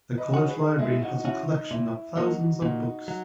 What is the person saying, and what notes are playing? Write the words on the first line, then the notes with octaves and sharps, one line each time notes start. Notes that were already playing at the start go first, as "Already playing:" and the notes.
The college library has a collection of thousands of books.
B4 D#5
C#4 F#4
G#4 B4
G#3 E4 G#4
D#4 F#4
D#4
C#4 E4 F#4
D#4
A#2 E4
F#3 A#3 D#4 F#4
A#2 D#4 F#4
F#3